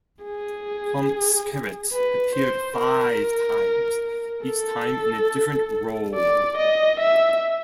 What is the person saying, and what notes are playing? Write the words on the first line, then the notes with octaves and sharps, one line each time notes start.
Tom Skerritt appeared five times, each time in a different role.
G#4
B4
C5
A#4
A4
D5
D#5
E5